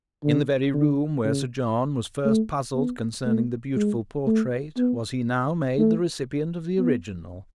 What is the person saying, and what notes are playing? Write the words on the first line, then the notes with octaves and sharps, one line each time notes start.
In the very room where Sir John was first puzzled concerning the beautiful portrait, was he now made the recipient of the original.
D3
D3
C#3
A3
B3
A3
G#3
A3
B3
A3
B3